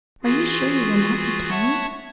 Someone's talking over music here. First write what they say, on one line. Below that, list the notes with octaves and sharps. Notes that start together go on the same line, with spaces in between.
Are you sure you will not be tired?'
E3 F4 F#4 G#4
C#5 E5 F#5 A5 C#6